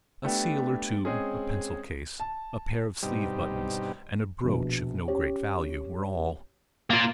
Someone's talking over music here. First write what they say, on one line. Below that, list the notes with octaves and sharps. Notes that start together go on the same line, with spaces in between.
A seal or two, a pencil-case, a pair of sleeve-buttons, and a brooch of no great value, were all.
A3 B3 D4 G4
G#3 C4 C#4 G#4
A5
G2 B2 G3 C4 D#4 G4
A#1 B2
C#4 G4 C#5
A#3 F4 A6 D7